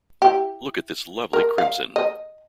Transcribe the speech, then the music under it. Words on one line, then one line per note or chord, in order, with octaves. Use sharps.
Look at this lovely crimson!
E4 G4
A#4
F5
D#5